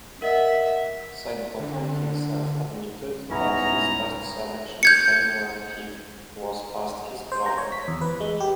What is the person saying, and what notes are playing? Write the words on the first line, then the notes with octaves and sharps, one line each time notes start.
Sidebottom himself admitted that his Test selection came when he was past his prime.
A#4 D#5 E5 F#5
D3
C2 G#2 B3 C#4 D#4 E4 F#4 A#5
G6 G#6 C#7
C5
A#5
C#5
B6
E2
B4
G#3
G4